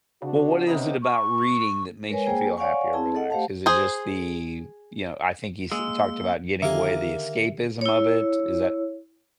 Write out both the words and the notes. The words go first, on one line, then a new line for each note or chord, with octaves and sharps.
Well, what is it about reading that makes you feel happy or relaxed? Is it just the you know, I think you s talked about getting away, the escapism of it, is that
C#3 C4 D4 F#4
C3 B3 C#4 D#4
C#6
G#3 A#4 B4 C#5 G#5
A#3 G#4 C5 G5 G#5
C#5 D5 F5 F#5 G#5 C#6
C4 E4 G#4 A5
A4 D#5 F#5
A3 G4 C5 F5 F#5 A5
G#4 C5
G#3 A#3 E6
D3 D#3 A#3 G4 E5 F5 G#5
E4 C#5